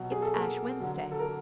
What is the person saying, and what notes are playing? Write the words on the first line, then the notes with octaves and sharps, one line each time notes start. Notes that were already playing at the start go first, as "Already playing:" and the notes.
It's Ash Wednesday.
Already playing: B2 F#3
G#4
A4
A#3 A#4
D3 F#3
A4
A#4